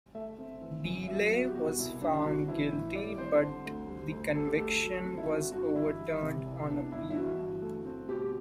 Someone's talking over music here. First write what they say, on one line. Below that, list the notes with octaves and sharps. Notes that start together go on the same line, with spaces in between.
DeLay was found guilty, but the conviction was overturned on appeal.
A3 E5
C4
E3
F#2
F#3 E5
B3 F#4
G4
B2 F#4
C2 E4
G3 D4
D4
C4 F#4
E3 E4
A2
G3 D5
C4 C5
D3
D2
G3
D2
D3 A4
G4
D2 A4
F#3
C4
E4
D3 F#4
G2 F#4
E3 E4
G3
C3
C2
B3 D4
G2 E4
E4
E3 F#4
G2
A3
C4
B2 G4